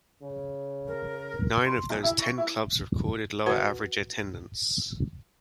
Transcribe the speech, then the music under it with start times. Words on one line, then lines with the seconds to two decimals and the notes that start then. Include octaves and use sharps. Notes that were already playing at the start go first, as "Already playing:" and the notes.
Nine of those ten clubs recorded lower average attendance.
0.23 C#3
0.88 A#4
1.66 C6
1.90 B1
2.03 E4
2.19 C#6
2.38 E4
3.46 F#4 B4 F#5 A5